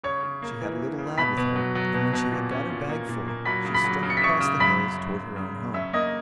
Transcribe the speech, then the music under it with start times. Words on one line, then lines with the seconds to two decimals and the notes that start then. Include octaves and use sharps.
She had a little lad with her, and when she had got her bag full, she struck across the hills towards her own home.
0.04 C#3 C#5 C#6
0.23 C#3
0.42 A#3
0.61 E3
0.79 E3
0.98 C#3
1.18 B2 B5 B6
1.37 B2
1.56 F#3
1.75 F#3
1.94 B2
2.13 B2
2.32 A#2
2.51 C#4
2.70 A#2
2.89 A#3
3.09 A#2
3.28 A#3
3.45 F#3 B5 B6
3.65 C#3
3.74 B5 B6
3.84 F#3
4.03 C#3
4.10 C#7
4.17 B6
4.22 C#3 C#6 C#7
4.41 C#3
4.60 F#2 B5 B6
4.79 F#2
4.98 F#2
5.17 F#2
5.36 C#3
5.55 F#2
5.74 C#4 E5 E6
5.93 A#3 D#5 D#6